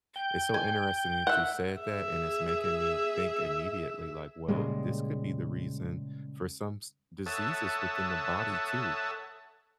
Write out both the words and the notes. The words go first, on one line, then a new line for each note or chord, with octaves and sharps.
it's so interesting that you said that, and it's making me think immediately, like, well, this could be the reason for some s diseases within the body too,
G5 G6
G#5
E5 F#5
G#4 E5
A#2 C#3 G3 G#3
A4 C#5 E5 F#5 A5 D#6